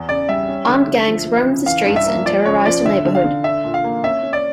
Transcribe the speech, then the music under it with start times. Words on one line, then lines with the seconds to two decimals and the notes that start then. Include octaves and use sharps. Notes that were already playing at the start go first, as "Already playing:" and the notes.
Armed gangs roamed the streets and terrorized the neighborhood.
Already playing: E2
0.09 C#3 D5
0.28 G3 E5
0.48 C#4
0.68 D3
0.87 D3
1.08 F3
1.27 F3
1.47 C#3
1.66 E3 F5
1.86 G2
1.96 E5
2.06 A#3
2.26 F3 D5
2.45 C#3 C#5
2.65 F3 D5
2.85 D3 E5
3.05 D3
3.15 F5
3.24 D3
3.44 D4 E5
3.64 A#2
3.74 F5
3.84 A#3
4.04 C#4 E5
4.23 C#4
4.33 D5